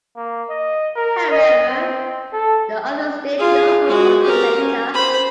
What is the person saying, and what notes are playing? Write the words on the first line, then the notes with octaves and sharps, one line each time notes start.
However, the others didn't know her until later.
A#3
D#5
A#4
D#5
C4
A4
F4 G#4
G#3 F#4
G4 A#4
C#4
C5 B5